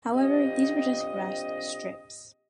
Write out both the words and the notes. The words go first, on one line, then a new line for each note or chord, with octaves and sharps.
However, these were just grass strips.
A#1 C4 G4 D#5